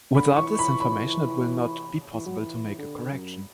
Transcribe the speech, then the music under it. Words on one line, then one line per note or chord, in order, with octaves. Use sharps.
Without this information it will not be possible to make a correction.
D3 B5
E3 C#6
E3 B5
B5
E3
F#3
E3
D3
F#2